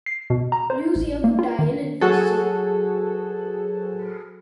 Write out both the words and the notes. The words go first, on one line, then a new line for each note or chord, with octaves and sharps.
Luisa would die in infancy.
C7
B2
A#5
C5
A1
A#3
F4
D#3
F#3 F#4 G#4 A4